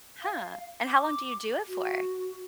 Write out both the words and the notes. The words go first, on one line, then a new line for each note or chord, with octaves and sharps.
Huh, and how long do you do it for?
F5
D6
F#4